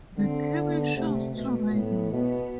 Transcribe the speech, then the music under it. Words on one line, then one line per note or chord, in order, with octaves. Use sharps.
The cameo shows two riders.
D3 C4
B3
C3 A3
B2 A3
A2 B3
B2 B3